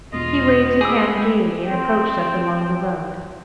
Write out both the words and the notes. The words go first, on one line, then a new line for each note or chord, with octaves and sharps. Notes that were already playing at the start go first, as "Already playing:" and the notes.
He waved his hand gaily, and approached us along the road.
E1 F4 D#5
G#4 G5 G#5 B5 D6 E6
C4 G5